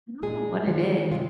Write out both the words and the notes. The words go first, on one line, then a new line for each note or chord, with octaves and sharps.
I don't know what it is.
A#2 G#3 D#4 G#4
D#3 G#3 F4
C3 G#3 F4